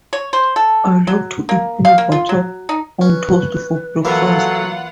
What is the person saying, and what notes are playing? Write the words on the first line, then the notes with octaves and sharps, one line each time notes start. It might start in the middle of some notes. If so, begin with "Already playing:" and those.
I like to eat peanut butter on toast for breakfast.
C#5
C5
A4
F#3
A#3
F5
A#3
F4
F#3
D#4
C#4 B4
E3 F#3 A#3 F4 A4 E5 F#5